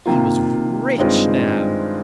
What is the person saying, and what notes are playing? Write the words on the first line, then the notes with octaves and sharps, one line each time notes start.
He was rich now.
C3 D#3 A#3 F4
G2 D#3 G#3 C4 F4